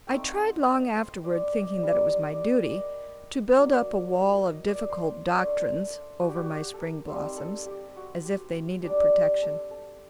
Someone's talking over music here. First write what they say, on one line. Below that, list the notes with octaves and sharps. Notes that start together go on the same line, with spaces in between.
I tried long afterward, thinking that it was my duty, to build up a wall of difficult doctrines over my spring blossoms, as if they needed protection.
A3 C4 D#4 G5
F#5
G5
D#5
C5
D5
D5
D#5
D5
G3 A#3 D#4 D#5
D5
D#5
D5
D#5
D5
D#5
F#3 A#3 D4
D#5
D5
C5
A3 D4 C5
F#4
G4
F#4
G4
A4 A#4
G3 C4 D#4 C5
A4
G4
F#4
G4
G3 D4 D5
C5
A4
A4